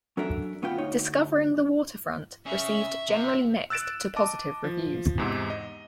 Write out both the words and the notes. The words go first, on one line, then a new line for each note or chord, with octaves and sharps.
"Discovering the Waterfront" received generally mixed to positive reviews.
F#3 C#4 D4 A4 A#4 E5
D2 B3 C#4 F4 B4 G5
D2 D#4 C#5
C#3 E5
C3
E6 F#6 A6 D7 E7
D#5 A5 D6
F3
E2 G#2 C3
D#5